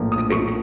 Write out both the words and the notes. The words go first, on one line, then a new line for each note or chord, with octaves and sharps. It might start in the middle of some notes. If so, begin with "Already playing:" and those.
I think,
Already playing: A#1 A2 F3 A#3
D#6
C#6